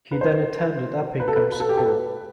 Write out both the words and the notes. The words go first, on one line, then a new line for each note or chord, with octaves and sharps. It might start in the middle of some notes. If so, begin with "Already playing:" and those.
He then attended Uppingham School.
B4
C5
B4
A4
B4
B4
A4
G4
A4
B4